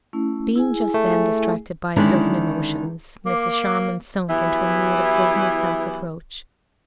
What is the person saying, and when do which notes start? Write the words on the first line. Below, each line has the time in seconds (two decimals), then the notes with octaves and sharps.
Being just then distracted by a dozen emotions, Mrs. Charmond sunk into a mood of dismal self-reproach.
0.13 A3 C#4 E4
0.56 E4 G#4 G#5
0.94 A3
1.96 D3 D#3 G#3 C#4 D4 E4
3.26 A#3 D6
4.29 E3 F#3 B3 E4 G4